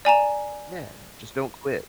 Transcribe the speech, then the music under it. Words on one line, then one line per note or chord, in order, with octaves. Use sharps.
Yeah. Just don't quit.
D5 G#5 A#5 E7